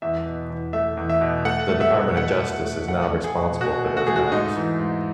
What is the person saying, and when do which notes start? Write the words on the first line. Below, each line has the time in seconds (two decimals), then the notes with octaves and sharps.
The Department of Justice is now responsible for those matters.
0.02 E2 E5
0.26 B2
0.50 E2
0.73 A3 E5
0.97 E2
1.10 E5
1.21 B2
1.45 A3 F#5
1.69 A3
1.81 E5
1.93 B2
2.17 B2 F#5
2.41 A3
2.65 A3
2.88 A3 F#5
3.12 A3
3.24 G#4
3.37 B2
3.61 B2 F#4
3.84 A3
3.97 F#4
4.07 A3 G#4
4.16 F#4
4.32 G#2 D#4
4.56 E3
4.79 G#2